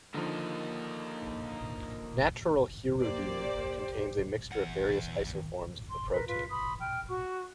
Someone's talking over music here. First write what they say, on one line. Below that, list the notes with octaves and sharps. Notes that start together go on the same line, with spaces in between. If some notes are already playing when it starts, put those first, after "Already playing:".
Natural hirudin contains a mixture of various isoforms of the protein.
D3 D#3 F3 A#3 A#4 D#5
A#3 G4 C5 D5
E2 F#5
C6
A#4 B4
F4 B4
B5 C6 D#6
G5 F6
F#4 C#6